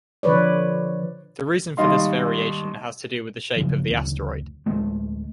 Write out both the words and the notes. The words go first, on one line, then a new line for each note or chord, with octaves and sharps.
The reason for this variation has to do with the shape of the asteroid.
D3 F3 B4 C#5 D5
D#2 G#2 G3 D#5 F5 C6
G1 F#2 C#3 F3
F#1 D2
D1 G#3 A3